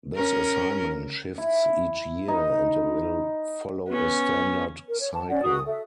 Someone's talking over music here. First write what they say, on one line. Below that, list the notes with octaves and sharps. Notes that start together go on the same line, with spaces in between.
This assignment shifts each year and will follow a standard cycle.
C#4 A#4
E4
D#4
B3 C#4
A#4
C#5
A5
C#4 D5 F#5
F#4 D#6
A4 E5